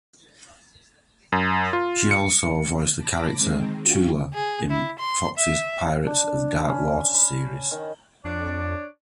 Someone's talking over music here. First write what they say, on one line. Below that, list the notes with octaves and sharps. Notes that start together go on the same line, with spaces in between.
She also voiced the character Tula in Fox's "Pirates of Dark water" series.
F#2
F4
C#7
A5 B5 D6 A#6 B6
D#3 G#3 C4
C#4 F4 F#4 F5 G5
G#4
E4
C6
E5
D4
B5
C#4
B5
D#3
F2 D4 C#5 D5